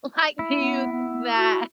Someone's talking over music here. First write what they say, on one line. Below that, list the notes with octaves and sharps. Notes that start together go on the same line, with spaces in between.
Like, do you think that
E4
B3
B3
F#4